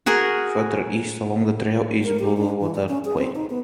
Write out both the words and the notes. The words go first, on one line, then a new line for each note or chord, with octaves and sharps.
Further east along the trail is Bluewater Quay.
F#4 G#4 A#4
A#4
G4
D4
E3
D5
C#4
G#4
C4
D#4
B3